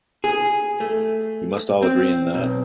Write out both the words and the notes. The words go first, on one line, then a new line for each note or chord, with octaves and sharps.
We must all agree in that.
G#4
A3
C4
B1